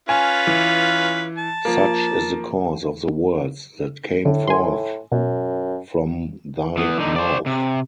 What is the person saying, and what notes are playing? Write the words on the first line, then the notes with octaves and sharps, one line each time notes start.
Such is the course of the words that came forth from thy mouth.
C#4 F4 B4 G#5
E3
A5
F3 A#3
A2 D3
G#5 C6
F#2 B2
E3 B3
D3 D#4
C5 D5
C3